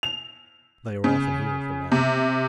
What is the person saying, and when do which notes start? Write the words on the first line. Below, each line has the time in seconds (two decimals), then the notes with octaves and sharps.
They are often here for men.'
0.03 F7
1.04 C#3
1.92 C3